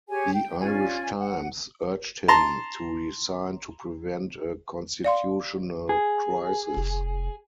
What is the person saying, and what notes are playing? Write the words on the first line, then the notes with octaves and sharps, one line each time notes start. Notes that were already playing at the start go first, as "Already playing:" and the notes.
"The Irish Times" urged him to resign to prevent a constitutional crisis.
G4 G#4 C#5 G#5
G5
C#4 F4 D5 G#5
F#5
A5 A#5 C6
D5 F5 C6
G#4
F1